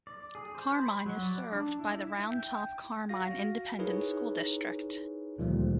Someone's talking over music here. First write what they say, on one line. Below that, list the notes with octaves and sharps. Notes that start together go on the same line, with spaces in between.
Carmine is served by the Round Top-Carmine Independent School District.
D5
G#4
C5
B5
F#3
D5
D4
E4
E5
G5
F#4 F5 A#6
D#4 E4 G#4 A#4 B4 C#5
D2 A#2 D#3 F3 G3 A3